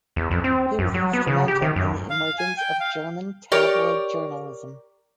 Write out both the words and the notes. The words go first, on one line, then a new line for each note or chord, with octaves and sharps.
He was instrumental in the emergence of German tabloid journalism.
E2
F2
C4
F#2
F#3
B3
C#3
G4
D#3
F#2
F5
G#5
G5
F5
G4 A#4 C#5 D5